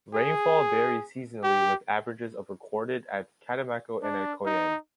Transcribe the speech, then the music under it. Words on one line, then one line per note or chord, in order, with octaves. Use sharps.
Rainfall varies seasonally with averages of recorded at Catemaco and at Coyame.
G#4
G4
D4
D#4